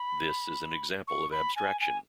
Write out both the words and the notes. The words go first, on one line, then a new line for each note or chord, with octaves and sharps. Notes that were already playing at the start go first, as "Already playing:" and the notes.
This is an example of abstraction.
Already playing: B5
C#6
B5
G#5
G#5